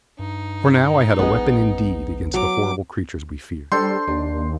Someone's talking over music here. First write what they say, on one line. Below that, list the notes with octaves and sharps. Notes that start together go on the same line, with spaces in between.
For now I had a weapon indeed against the horrible creatures we feared.
G2 D#4
A#1 G#3 B3
F#3 D6
G3 D4 A4 C5 C6 G6
D#2 D4